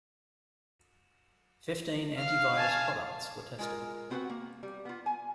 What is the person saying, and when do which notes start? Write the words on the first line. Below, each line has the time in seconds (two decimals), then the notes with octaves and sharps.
Fifteen anti-virus products were tested.
2.19 F5 F6
2.56 G#5 A5
3.59 G#3 F4 A#4
4.10 B3 C4 F#4 A4 B4 F#5
4.29 A#3
4.63 G3
4.85 B3 F4
5.06 G#5